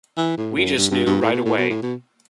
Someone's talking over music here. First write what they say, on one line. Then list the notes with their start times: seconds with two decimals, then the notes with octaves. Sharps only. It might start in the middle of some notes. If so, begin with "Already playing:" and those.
We just knew right away.
0.17 E3
0.37 A2
0.56 F#2
0.77 G2
0.91 G2
1.06 G2
1.21 A2
1.33 B2
1.45 A2
1.58 B2
1.70 A2
1.82 B2